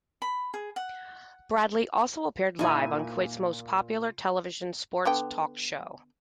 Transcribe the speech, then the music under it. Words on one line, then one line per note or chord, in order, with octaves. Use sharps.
Bradley also appeared live on Kuwait's most popular television sports talk show.
B5
G#4
F#5
A#2 D#4 E4 G#5
D3 B3 G5